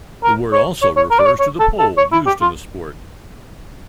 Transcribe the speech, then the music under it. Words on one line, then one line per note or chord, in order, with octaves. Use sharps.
The word also refers to the pole used in the sport.
A#4
C#5
C#5
C#5
A#4
D5
C#5
C#5
A4
A4
C#5
E4
G4
F4